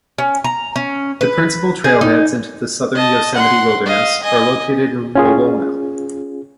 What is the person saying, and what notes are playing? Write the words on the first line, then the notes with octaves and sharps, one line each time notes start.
The principal trailheads into the southern Yosemite wilderness are located in Wawona.
C#4
A#5
C#4
B4
G#4
D#4
D#5 A5
F#5 C6
D#5 F5
D#5 G#5
C#4 F4 G#4